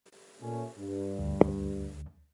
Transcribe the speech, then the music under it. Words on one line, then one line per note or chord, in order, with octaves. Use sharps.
Ford introduced flexibility into mass production, so that Fordism could continue to evolve.
A#2 A3 C#4
G2
D2